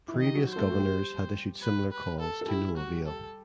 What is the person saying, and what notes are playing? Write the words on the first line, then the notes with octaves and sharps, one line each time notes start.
Previous governors had issued similar calls to no avail.
E4
D#3 D#4
G4 D#5
F#3 F#4
C5
A3 A4
F#4
G3 G4
B4
B4
A4
A4
G3 E4 G4
F#4
A4